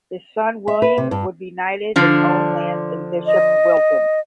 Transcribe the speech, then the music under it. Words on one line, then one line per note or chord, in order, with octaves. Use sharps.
His son William would be knighted and own lands in Bishop Wilton.
E5
B4
C3
G2
D3 F3 D4
D#5